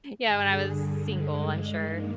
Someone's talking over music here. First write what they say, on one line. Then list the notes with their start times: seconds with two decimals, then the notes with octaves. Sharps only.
yeah, when I was single, I'm sure.
0.23 G2 D3 G#4
1.01 G#3
1.79 G2 D#3 A#3